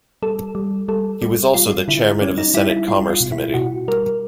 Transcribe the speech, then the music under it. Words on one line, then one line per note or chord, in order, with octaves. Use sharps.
He was also the Chairman of the Senate Commerce Committee.
G3 A4
G3
G3 A4
G3
G3 F4
D3 E4
G3 C#4
D#4
G3 E4
E4
G3 F4
F4
B2
E4
B2 F#4
G3 A#4